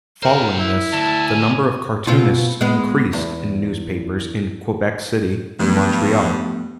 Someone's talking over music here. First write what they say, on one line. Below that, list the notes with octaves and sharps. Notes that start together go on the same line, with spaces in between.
Following this, the number of cartoonists increased in newspapers in Quebec City and Montreal.
A#4 C5 F#5
E4
D2 A5
G#5
B2 C4 F4
G#3 B3
E2
G2 F3 A3 B3